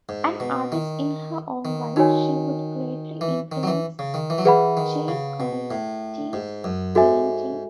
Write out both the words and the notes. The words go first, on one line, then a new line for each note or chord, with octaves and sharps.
An artist in her own right, she would greatly influence Jean Crotti's painting.
G#2
B2
D#3
D#3
D#3 D#4 F#4 C#5 G#5
E3
D#3
F#3
E3
C#3
D#3
E3
F#3
E3 G#4 B4 F#5 B5
D#3
C#3
B2
A2
G#2
F#2
G#2 F#4 A4 E5 G#5